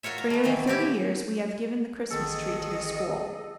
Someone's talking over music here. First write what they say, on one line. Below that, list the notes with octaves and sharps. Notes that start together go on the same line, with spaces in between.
For nearly thirty years we have given the Christmas tree to the school.
F4 F#4 A#4 C#5 E5
A#5
A3 B3
B2 D#3 E3 F#3
E4 G4 B4 D5
A1 D#3 G#4 A4 D#5 C#7